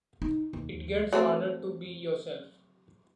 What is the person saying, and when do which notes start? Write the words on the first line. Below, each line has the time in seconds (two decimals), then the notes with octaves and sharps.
It gets harder to be yourself.
0.22 D#4
0.53 D#2
1.13 F#3 A3 C4